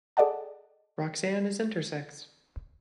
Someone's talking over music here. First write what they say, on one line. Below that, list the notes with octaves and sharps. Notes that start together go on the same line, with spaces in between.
Roxanne is intersex.
G#4 A4 D5 D#5 F#5 A5